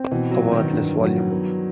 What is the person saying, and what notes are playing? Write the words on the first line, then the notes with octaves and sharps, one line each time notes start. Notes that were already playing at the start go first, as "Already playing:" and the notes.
A worthless volume!
Already playing: C4
B2 E3
F#3
F#4
D#3
G2
F#3
B3